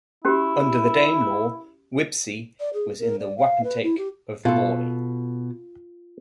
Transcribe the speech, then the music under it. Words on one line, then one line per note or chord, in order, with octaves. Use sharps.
Under the Danelaw Wibsey was in the wapentake of Morley.
C#4 E4 F#4 G4
D5
G#4
A#4
D5
F5
B4
E4
G4
B2 F4 A4